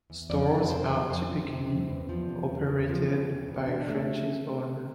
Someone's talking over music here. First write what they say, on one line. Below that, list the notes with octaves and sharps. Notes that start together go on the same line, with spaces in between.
Stores are typically operated by a franchise owner.
E2
F2 D5
F3
B4
C3 C5
F2
F2 C5
F3
C3
F2
E2
F3
C3
E2
E2
F3
C3
E2
B2
D4
A3